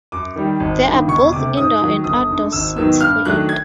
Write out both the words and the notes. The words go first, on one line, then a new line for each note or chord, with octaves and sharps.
There are both indoor and outdoor seats for it.
F#2 D6
D#3 G3
G#1
G2 D#3
E1 C#6
D2 C3 D6
G#2 D#6
D#3 F#3
G1 D#6
F#2 D3
G#1 E6
G#2 D#3 F#3 B3 E6
G2 F6
D#3 F#3 A3 D4 F#6
G#6